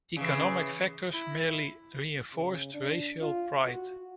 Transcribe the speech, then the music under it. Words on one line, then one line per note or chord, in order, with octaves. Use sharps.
Economic factors merely reinforced racial pride.
C#3 E3
E4
C#3
D4
F4
F#4